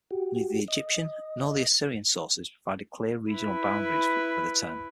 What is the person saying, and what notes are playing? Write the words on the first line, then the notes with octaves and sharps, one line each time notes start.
Neither the Egyptian nor the Assyrian sources provided clear regional boundaries for the term.
F#4 G4
D#5
E4 B4